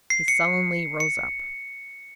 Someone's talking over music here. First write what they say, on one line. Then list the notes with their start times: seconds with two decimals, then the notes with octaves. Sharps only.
He sullenly rose up.
0.10 C7
0.28 C#7
1.00 C#7